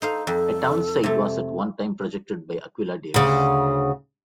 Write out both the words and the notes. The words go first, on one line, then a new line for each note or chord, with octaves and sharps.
A town site was at one time projected by Aquilla Davis.
D#4 A4 C5 F5
F2 A4
C3 A3
D2 C#3